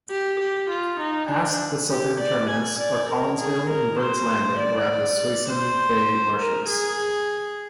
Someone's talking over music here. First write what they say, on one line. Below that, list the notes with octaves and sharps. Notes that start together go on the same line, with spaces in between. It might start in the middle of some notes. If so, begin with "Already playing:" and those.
Past the southern terminus are Collinsville and Birds Landing around the Suisun Bay marshes.
G4
G4
F4
D#4
D4
G4
D5
G#5
D5
A#4
G#4
A#4
C5
D5
C5
A#4
G#4